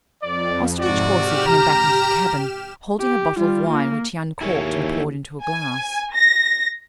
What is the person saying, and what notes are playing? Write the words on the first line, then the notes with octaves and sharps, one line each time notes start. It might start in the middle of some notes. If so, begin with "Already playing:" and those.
Osterbridge Hawsey came back into the cabin holding a bottle of wine which he uncorked and poured into a glass.
F2 D5
G#2 C3 F#4 D5
G4 F6 E7
A#5
G4
G3 F4
A#3
D#2 E4 G#4 C#5
G#5
A#6